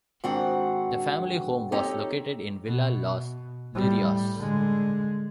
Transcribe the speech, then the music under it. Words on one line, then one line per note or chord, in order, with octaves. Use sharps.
The family home was located in Villa Los Lirios.
G#2 D#3 C4 D4 F#4 F#5
C4 D#4 G4 A4 C#5
B2
A2 G3
D3 G#3